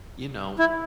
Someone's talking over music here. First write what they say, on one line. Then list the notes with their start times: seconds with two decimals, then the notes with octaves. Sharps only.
you know,
0.59 E4